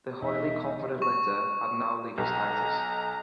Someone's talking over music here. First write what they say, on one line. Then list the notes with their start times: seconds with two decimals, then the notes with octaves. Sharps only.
The highly confident letter had no legal status.
0.22 E1 D#4 E5
1.02 C#6
2.18 B1 A#5